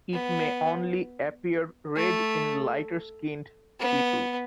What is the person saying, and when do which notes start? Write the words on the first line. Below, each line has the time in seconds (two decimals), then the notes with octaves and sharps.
It may only appear red in lighter-skinned people.
0.13 B3
1.96 A3
3.80 B3